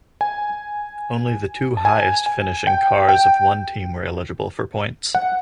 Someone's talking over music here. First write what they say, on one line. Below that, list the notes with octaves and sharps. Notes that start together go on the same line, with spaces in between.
Only the two highest finishing cars of one team were eligible for points.
G#5
A5
G#5
G#5
G5
G5
F#5